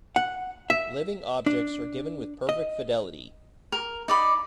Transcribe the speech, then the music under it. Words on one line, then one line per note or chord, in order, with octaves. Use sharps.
Living objects are given with perfect fidelity.
F#5
E5
D4
D#5
A#4
D#4 D5 B5